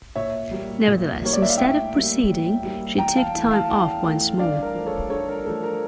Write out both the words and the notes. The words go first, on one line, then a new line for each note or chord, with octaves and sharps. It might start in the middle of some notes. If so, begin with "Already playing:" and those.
Nevertheless, instead of proceeding she took time off once more.
A#2 C#5 E5
G3 A#3
A#2
G3 A#3 C#5
D5
E5
F5
A2 E5 G5
G3 A#3
A2
G3 A#3
E2 G5 A#5
F5 A5
E3 A3
F5 A5
E2
E3 A3
G2 D5 F5
A#4
F3 A3
A4 C#5
G2 A4 C#5
A#4
F3 A3 A4
A#4